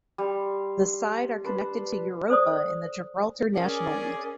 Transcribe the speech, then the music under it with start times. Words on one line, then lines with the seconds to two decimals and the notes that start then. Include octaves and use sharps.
The side are connected to Europa in the Gibraltar National League.
0.18 G3 C6
1.44 D4 B4 C5
2.30 A4 C5 D5 D#6
3.55 C#4 G#4 A#4 D5